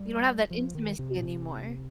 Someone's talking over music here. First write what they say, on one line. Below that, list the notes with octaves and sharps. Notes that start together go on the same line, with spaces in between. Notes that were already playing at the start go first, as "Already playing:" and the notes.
You don't have that intimacy anymore.
Already playing: G3
F3
D#3
C3
A#2
C3